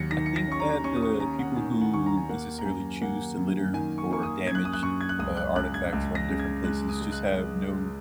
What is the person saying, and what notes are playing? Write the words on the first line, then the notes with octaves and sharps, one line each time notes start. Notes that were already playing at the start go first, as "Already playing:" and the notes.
I think that the people who necessarily choose to litter or damage, uh, artifacts from different places just have no
Already playing: D#2 F#3 A#6 C#7
D#3 A#6
C#7
A#6
C#4 C#6
A#5
C#4 C#6
D#6
C#6
C#4 A#5
F#5
D#3 G#5
F#5
D#2 C#6
A#5
G#5
A#3 F#5
A#5
F#2 G#5
A#3 F#5
F#2
D#3 G#5
C#6
A#3 C#6
D#6
F#2 G#6
F#6
D#6
F#6
F#2 C#6
G#6
F#6
C#2 D#6
F#6
C#2 F#6
G#6
C#2
A#6
C#3
G#6
G#3 F#6
D#6
G#3
F#6
G#3
G#3